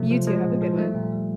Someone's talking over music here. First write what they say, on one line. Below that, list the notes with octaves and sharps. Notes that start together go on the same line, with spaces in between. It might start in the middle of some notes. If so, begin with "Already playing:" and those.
You too, have a good one.
Already playing: C3 F3 F#3 A3
F3
F3 G#3
A#2
F3
G3 A3
A#2
G3